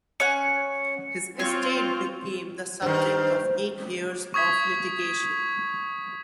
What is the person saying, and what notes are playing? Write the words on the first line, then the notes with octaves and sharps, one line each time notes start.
His estate became the subject of eight years of litigation.
C#4 C#5 F#5 C#7
C4 F4 C#5
G2 D#3 C5
C#6 D#6 G#6 B6